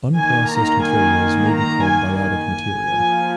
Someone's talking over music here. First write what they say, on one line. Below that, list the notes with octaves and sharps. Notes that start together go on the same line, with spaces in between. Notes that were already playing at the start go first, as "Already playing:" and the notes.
Unprocessed materials may be called biotic material.
D#3 A#3 G#5
A#5
G#5
A#5
G#5
G#5
F3 A#3